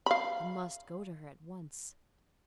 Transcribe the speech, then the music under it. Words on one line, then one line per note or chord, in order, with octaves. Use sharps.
He must go to her at once.
F5 B5